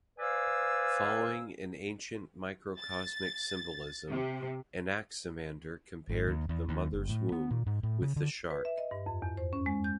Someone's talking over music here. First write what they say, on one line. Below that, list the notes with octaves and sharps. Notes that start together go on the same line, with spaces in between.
Following an ancient microcosmic symbolism, Anaximander compared the mother's womb with the shark.
B4 C5 D5 F5 G#5 E6
A6
C3
G#1
D#2
E2
D#2
F#1
A2
B3
A#2
G#2
A2
C#3
D3
B4
E5
D#5
G2
F2
E2
C5
C#4
G#3
G6